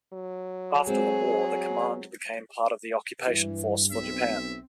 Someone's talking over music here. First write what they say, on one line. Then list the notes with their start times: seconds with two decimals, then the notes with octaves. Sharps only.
After the war the command became part of the occupation force for Japan.
0.13 F#3
0.87 G#3 C4 F#4 G#4
3.27 G2 E3
3.92 B1 C4 E5